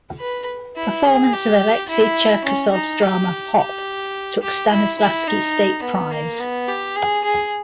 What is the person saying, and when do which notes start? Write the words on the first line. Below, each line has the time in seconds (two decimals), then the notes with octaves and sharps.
Performance of Alexei Cherkasov's drama "Hop" took Stanislavsky State Prize.
0.20 B4
0.76 E4
1.05 G#4
1.33 G4
1.89 E4
2.45 C#4
2.73 D#4
3.02 G4
3.58 G4
4.42 G4
4.71 E4
4.99 E4
5.27 D#4
5.83 B3
6.11 A#3
6.40 B3
6.68 G4
6.96 G#4
7.24 G#4